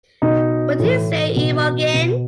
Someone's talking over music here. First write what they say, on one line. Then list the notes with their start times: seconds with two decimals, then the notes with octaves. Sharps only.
What do you say, Imogen?
0.22 B2 D#4
0.79 A2 E3
1.36 B2
1.94 B2